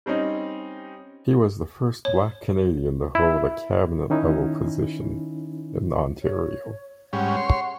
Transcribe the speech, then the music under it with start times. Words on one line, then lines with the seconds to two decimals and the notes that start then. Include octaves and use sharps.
He was the first Black Canadian to hold a cabinet-level position in Ontario.
0.06 G3 C4 C#4 D#4
2.05 C#5
3.15 E4
4.10 D#3 C#4 D#4 E4
6.22 C#5
7.13 G#2 G3 C#4 F#5
7.37 C#5 C6